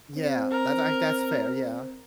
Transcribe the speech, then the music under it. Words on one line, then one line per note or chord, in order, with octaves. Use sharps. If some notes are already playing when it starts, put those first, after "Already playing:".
Yeah, that's i that's fair, yeah.
C4
A#4